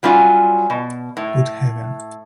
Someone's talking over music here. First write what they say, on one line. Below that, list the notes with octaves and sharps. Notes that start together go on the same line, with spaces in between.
Good heaven!
F#3 G3 C#4 F4
B2
A2